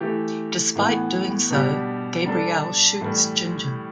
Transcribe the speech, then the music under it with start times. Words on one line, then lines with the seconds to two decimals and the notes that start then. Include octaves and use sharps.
Despite doing so, Gabriel shoots Ginger.
0.01 E3 A3 G4
0.75 A2 E3 B3
1.50 B2 G3 D4 G4
2.26 G3 D4 A4
3.01 A2 E3 G3